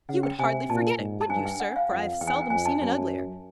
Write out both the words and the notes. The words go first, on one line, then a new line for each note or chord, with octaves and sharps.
You would hardly forget it, would you, sir, for I've seldom seen an uglier.
C#3 F#5
G5
C3 G#5
A#2 A5
G#2
A5
G2 G#5
G5
F#5
F5
F2 F#5
E2 G5
G#5
G5
F2 G#5
A5
F#2 A5